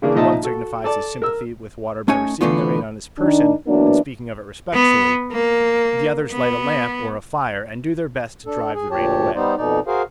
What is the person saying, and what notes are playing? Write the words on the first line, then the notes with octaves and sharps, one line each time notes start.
The one signifies his sympathy with water by receiving the rain on his person and speaking of it respectfully; the others light a lamp or a fire and do their best to drive the rain away.
C#3 E3 A#3 D4 G#4
A#2 F3 D#4 D#5 E5 A5
F#4 A4
A4 D5 A5
A#4 E6
A3 C#4 D#4 C#5 G#5
D3 E3 A3 B3 F4
D#3 D4 D#4
E3 F#3 A#3 B3 D4
B3
A#3
B3
D4 A4
G#4
D2 A#2 G4 C#5 A5
G3 B3 D#4 C5 D5
F2 B2 D#4 D5
F#4 G#4 A#4 C5 F5